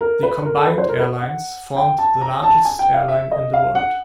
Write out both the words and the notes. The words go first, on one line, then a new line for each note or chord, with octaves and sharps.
The combined airlines formed the largest airline in the world.
A#4
B4
A#4
A4
B4
C5
A#4
B4
F#5
G5
A5
A#5
A5
G#5
G5
F5
E5
D#5
F5
F#5